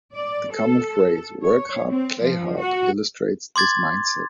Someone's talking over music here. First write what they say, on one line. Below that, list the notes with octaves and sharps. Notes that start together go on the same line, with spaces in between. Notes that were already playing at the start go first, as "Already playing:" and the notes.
The common phrase "Work hard, play hard" illustrates this mindset.
D5
A4
C#5
C4
F3
F#4
C6 D6 G#6 A6